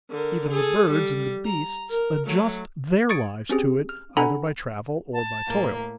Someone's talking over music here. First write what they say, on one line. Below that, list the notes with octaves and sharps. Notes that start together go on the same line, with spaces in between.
Even the birds and the beasts adjust their lives to it either by travel or by toil.
D3 A#4
G#4 A4
G3
A#5
A#4
F#3 A3
C#6 D#6 G#6 A6 C#7 D7
C4 C#4 G4 G#4
F6
D4 A4 F#5 G#5 A#5 B5
A5
A2 A#3